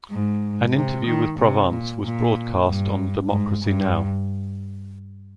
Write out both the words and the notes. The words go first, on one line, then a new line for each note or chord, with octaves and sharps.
An interview with Provance was broadcast on the Democracy Now!
G#2
C3
D#3
C3
A#2
A#2
G2
G#2
G2